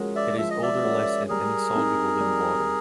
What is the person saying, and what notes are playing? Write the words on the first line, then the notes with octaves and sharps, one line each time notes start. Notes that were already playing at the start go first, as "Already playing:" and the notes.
It is odorless and insoluble in water.
Already playing: F3 G#3 C#4 F#4 A#4
D5 E5
F3 E5
D#5
D5 E5
G#3 C#4 F#4 A#4
G3 G#4 A#4
C4 D#4
G3